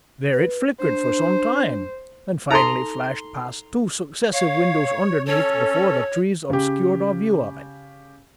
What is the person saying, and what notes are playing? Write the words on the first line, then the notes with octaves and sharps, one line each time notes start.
There it flickered for some time, and finally flashed past two successive windows underneath before the trees obscured our view of it.
B4
D4 C5
D#4 A4 A#5 C6
C#5 F5
C#4 A4 C#5
C#3 G4